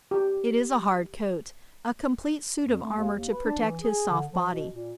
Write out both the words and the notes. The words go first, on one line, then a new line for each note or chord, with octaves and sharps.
It is a hard coat, a complete suit of armour to protect his soft body.
G4
F2
A3
D#2
D#2
B4
D4
E3
G#4
D3
F3
B2
A#2